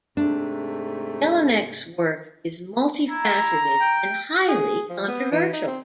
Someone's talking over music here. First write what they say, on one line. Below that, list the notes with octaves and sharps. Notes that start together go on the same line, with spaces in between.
Jelinek's work is multi-faceted and highly controversial.
G#2 C3 A3 D4
E4 A#5
G5
G#4
F3
B3
E3
D#4
C4